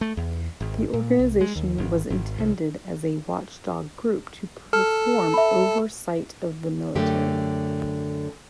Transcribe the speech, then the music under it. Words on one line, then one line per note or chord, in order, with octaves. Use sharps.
The organization was intended as a watchdog group to perform oversight of the military.
A3
E2
G#1
A#2
C2
G#3
D#2
G#1
G#1
C2
A4 F6
E5 B5
F#2 D3 A3 G4